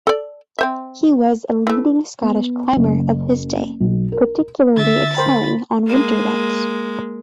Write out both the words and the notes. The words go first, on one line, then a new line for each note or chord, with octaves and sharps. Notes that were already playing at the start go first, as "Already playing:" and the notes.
He was a leading Scottish climber of his day, particularly excelling on winter routes.
A4 D5
C4 C5 E5
E3 A3
B3
F#1
B1
A#4
D3 E5 A6
A#4 C5 G5 B5
G#3 A#3